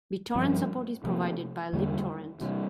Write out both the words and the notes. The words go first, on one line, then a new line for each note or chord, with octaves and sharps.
BitTorrent support is provided by libtorrent.
G2 F3 C4
C3 F3 A#3
E2 D3 G3 A#3
C3 E3 G3